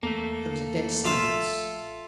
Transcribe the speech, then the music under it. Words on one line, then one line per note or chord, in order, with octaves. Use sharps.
There was a dead silence.
E2 A3 A#3 A4
A#1 F4 E5 F5